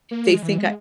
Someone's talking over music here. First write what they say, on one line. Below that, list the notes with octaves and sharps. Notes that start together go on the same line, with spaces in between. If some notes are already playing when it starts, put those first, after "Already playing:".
they think I
A#3
G#3
E3
G#3